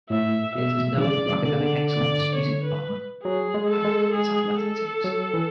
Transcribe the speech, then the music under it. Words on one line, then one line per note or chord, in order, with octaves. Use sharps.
It is known for academic excellence, music department, and its athletic teams.
A2 E5
B2 E5
C#3 D5
D3 D5
C#3
D3
D5
C#5
B4
F#3 G#4
G#3
A4
G#3
G#4
A4
F#3
E3